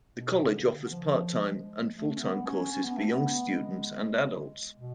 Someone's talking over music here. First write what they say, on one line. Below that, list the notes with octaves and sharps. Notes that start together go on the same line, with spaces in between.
The college offers part-time and full-time courses for young students and adults.
B2
C#3
D3
C#3
D3
D3
F3
G#3
A3
C#4
B3
C#4
C#4
B3
A3
B3
G#3
B2